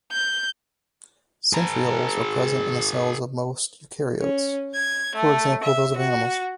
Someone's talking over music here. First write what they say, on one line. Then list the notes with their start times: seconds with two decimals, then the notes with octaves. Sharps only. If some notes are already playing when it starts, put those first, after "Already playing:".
Centrioles are present in the cells of most eukaryotes, for example those of animals.
0.12 G6
1.53 G#4 A#4
4.20 C#4
4.74 G#6
5.15 A3
5.63 E5
5.96 F#4